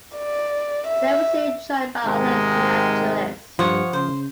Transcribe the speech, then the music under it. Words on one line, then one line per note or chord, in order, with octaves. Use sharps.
They were soon joined by other naturalists.
D5
E5
G#2 C3 D#3 G#3
G2 F3 C#5 F#5
C#3 C5